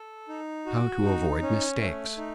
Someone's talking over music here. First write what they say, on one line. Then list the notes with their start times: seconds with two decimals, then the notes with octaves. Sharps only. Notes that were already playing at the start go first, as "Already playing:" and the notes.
How to Avoid Mistakes.
Already playing: A4
0.29 D#4
0.66 F#4
1.04 D#4
1.42 C#4
1.80 A3
2.18 D#4